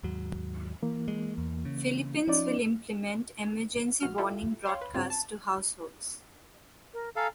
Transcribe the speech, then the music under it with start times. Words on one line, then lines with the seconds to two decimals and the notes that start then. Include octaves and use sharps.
Philippines will implement emergency warning broadcast to households.
0.03 D#2 G#2 F#3
0.82 E3 A#3
1.08 G#3
1.38 E2
1.65 C#3
2.27 F3 C#4 D#4 D5
4.00 A#1 F#4 F6
4.18 E4 F4 G4 A4
4.66 C#5 F5 G5 C6
4.81 B4
4.94 G2 C#3 C4 F4
5.10 A5
6.92 A#4
7.16 A4 F5 G#5 A#5